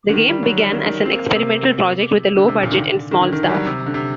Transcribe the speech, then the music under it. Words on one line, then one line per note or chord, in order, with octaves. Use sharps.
The game began as an experimental project with a low budget and small staff.
D3
D#3
G3
F#3
G3
D#3
D#3
C4
A#3
C3
D3
C3
A#2
D#3
D3
D#3
D3
D#3
F#3
G3
F#3
C3
D3
C3